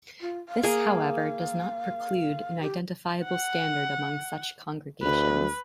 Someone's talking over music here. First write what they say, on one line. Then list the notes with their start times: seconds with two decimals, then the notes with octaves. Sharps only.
This, however, does not preclude an identifiable standard among such congregations.
0.21 F4
0.49 F5
0.63 A#3 G#4
2.61 G4
3.25 F#5
5.03 D2 B4